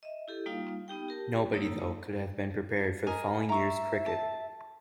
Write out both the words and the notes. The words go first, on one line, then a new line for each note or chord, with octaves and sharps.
Nobody, though, could have been prepared for the following year's cricket.
D#5 E5
E4 G4 A4
G3 A#3 D#4 F4 F5
B3 D#4 G4 G5
G4 A#4 A5
F#3 A#3 D#4 C#5 A#5 E6
A#4 D#5 G#5
E5 A#5 C#6
A5